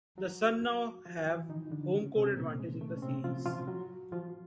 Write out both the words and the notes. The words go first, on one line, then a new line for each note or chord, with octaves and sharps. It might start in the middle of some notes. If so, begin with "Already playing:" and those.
The Sun now have home court advantage in the series.
F#3 F#4
F3 F4
E3 E4
D#3 D#4
D3 D4
C#3 C#4
C3 C4
A#2 A#3
G#3
A3
C#4
C3 C4
F3 F4
F3 F4
F#3 F#4
F3 F4